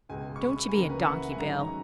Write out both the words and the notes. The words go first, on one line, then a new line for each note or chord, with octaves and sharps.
Don't you be a donkey, Bill.
C#2 B2 G#3 G#5
C#6
B5
G#5
C#2 C#3 E3 A#3 A#5
B4
F#5
E5
F#5
G#5
G#2 D#3 F#3 C#4 A#5